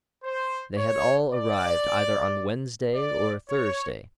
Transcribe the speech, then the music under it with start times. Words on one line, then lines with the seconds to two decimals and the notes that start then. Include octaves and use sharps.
They had all arrived either on Wednesday or Thursday.
0.24 C5
0.78 C#5
1.32 D5
2.95 D5
3.49 C#5